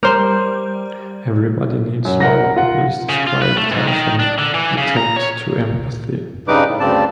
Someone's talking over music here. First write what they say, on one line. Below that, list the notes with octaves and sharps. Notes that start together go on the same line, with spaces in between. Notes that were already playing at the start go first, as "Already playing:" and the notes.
"Everybody Needs Love" is described as an "attempt to empathy".
G3 A#4 C5
F#2
A#4 F#5 A#6
F4 F#5
C#3
F4
B4
A3
G#2
D#3
D4
D3
E3
C#3
A#5
C#5
G2 C#3 G3 D#4 B4 D6
A2
D2 G2 C#3 C4 D5 A5